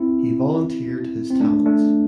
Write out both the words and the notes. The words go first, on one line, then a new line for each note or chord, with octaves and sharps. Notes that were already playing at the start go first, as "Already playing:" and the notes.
He volunteered his talents.
Already playing: C4 E4
C4
A3 D4
A3 D4